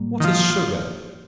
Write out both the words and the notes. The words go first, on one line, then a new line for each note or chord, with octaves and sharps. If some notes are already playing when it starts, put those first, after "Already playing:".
What is Sugar?
Already playing: A2 G3 A#3
D#3
F3